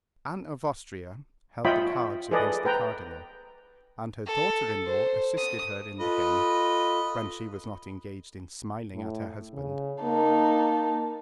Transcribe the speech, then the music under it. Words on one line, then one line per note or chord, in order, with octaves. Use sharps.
Anne of Austria held the cards against the cardinal, and her daughter-in-law assisted her in the game, when she was not engaged in smiling at her husband.
F4 C#5 D#5 E5 G5 B5
G#4 A4 B4 D5 D#5
B4 G5 A#5
A4
C5
D#6
F4 A4 B4 D#5
A2
C#3
A#3 D#4 A5